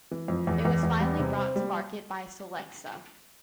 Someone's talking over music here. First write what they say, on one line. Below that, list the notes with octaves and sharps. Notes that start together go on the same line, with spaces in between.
It was finally brought to market by Solexa.
E3
F2
E2
E2
E2
G3
C3
C4
G3